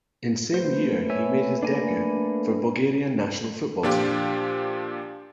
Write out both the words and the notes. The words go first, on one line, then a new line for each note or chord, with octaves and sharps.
In same year he made his debut for Bulgaria national football team.
A3 A#3 B4 C5
C#5 E5 G#5
D4 G#5 A#5
A#2 F3 D4 F4 G4